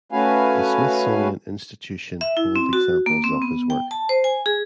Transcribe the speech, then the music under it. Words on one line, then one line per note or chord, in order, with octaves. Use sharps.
The Smithsonian Institution hold examples of his work.
A3 C#4 F#4 B4 F5 G#5
E5
E4
C4
F#4
A#3
C4
B3
G5
A5
C5
G#5
G#4